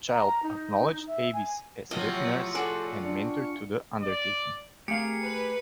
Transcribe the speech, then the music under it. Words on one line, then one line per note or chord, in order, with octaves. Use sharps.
Child acknowledged Avis as "wet nurse" and "mentor" to the undertaking.
A#5
D#4
E5
G#5
A2 C3 F3 F#3 F4 D#5 C#6
F#4 G#4 A4 D5
D4
D5
A3 G4 G#4 A#4 F5 C#7
B4